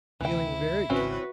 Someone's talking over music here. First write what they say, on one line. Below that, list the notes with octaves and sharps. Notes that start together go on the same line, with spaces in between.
Feeling very tired.
D2 C3 E3 A3 E4 G5
G#1 C#3 E3 C4 C#4 F#4 B4